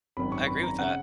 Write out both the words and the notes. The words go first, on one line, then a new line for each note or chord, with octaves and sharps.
I agree with that.
G#1 F#2 D#3 B5
C#6
B5
A#5
C#3 F#5